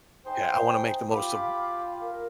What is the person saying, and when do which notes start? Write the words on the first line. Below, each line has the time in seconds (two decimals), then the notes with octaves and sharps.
yeah, I wanna make the most of
0.26 D#4 G#4 C5 G5
1.11 F4 G4 F5 B5 D6
2.01 A#4